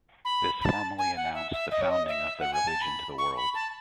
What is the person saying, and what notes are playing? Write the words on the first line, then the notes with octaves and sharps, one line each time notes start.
This formally announced the founding of the religion to the world.
B5
B5
A5
G#5
F#5
E5
E5
D#5
C#5
D#5
E5
F#5
G#5
A5
B5
C#6
B5
A5